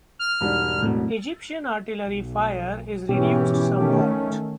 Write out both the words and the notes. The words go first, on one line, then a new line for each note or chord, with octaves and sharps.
Egyptian artillery fire is reduced somewhat.
F6
E1 G#2 G3
A2 C3 F#3
B1
G#2 B2 E3 C#4 G4
D#3 A3 C#4